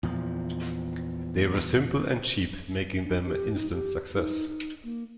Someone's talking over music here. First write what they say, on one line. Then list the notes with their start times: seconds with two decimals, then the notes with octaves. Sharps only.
They were simple and cheap making them an instant success.
0.03 E2 A#2 F3
3.05 D4
3.26 G4
3.54 D#4
3.73 G4
4.14 D#4
4.48 D#4
4.84 A#3